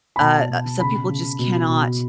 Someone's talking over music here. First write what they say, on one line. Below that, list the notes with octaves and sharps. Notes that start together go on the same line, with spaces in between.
uh, some people just cannot
B5
B2 A5
B2
C#3 B5
C#3
B2
B2